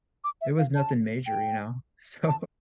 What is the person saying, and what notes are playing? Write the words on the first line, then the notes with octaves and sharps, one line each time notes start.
it was nothing major, you know? So,
D6
E5
F5
A5
G5
A5